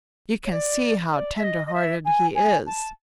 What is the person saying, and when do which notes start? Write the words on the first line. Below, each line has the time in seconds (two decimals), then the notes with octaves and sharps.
You can see how tender-hearted he is.
0.45 C#5
0.51 D5
1.13 D5
1.36 E5
1.43 D#5
1.66 D#5
1.74 E5
2.05 G#5
2.35 G#5
2.66 A5